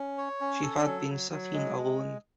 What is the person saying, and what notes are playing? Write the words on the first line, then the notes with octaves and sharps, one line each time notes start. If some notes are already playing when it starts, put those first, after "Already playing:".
She had been sitting alone.
Already playing: C#4
C#5
C#4
A4
F#3
F#3
F#3
G#3
G#3